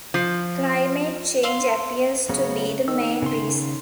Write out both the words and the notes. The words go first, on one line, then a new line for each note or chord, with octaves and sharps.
Climate change appears to be the main reason.
F3
F5 C6 E6
C#3 F#3 B3 C#4
D#3 E6
C#3 C6